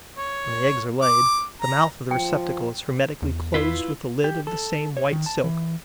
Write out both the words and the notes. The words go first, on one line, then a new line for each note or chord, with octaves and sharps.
When the eggs are laid, the mouth of the receptacle is hermetically closed with a lid of the same white silk.
C#5
D6
A#5
F3 G5
E2
E4 F4 B4
G4
A4
C#5
D#3
A5
E3